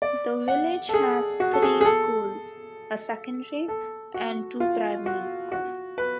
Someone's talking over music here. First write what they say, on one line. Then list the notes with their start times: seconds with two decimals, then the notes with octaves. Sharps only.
The village has three schools-a secondary and two primary schools.
0.02 D5
0.48 F#5
0.89 A4
0.94 G#4
1.40 F#4
1.53 A4
1.62 G#4
1.81 G#4
1.85 A4
3.68 A4
4.14 F#4
4.60 F4
5.06 F#4
5.52 F#4
5.98 B4